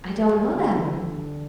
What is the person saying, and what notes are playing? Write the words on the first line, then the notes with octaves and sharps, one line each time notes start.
I don't know them.
G3
G3
D3
D3